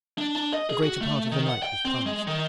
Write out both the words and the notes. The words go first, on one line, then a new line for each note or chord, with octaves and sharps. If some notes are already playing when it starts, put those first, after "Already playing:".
The greater part of the night was past.
D4
D4
D#5
G#4
F#4
A3
D#3
F#5
G5
C4
G#3
D#3